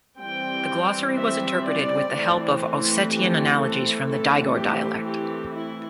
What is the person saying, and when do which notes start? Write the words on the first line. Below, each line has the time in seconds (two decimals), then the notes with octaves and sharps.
The glossary was interpreted with the help of Ossetian analogies from the Digor dialect.
0.17 E3 G3 C4 G5
1.16 E5
1.64 D5
2.12 E3 A3 C4
3.09 G4
3.58 A4
4.06 E3 A3 C4 A4
4.55 G4
5.03 G4
5.51 E4